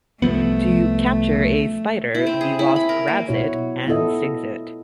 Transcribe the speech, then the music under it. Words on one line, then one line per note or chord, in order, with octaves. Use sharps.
To capture a spider, the wasp grabs it and stings it.
C2 F3 A3 B3
E4
C4
G#4
E4
B5
A#4
A#3
B2 E4 F#4 C#5
B3 E4 F4 A4 D#5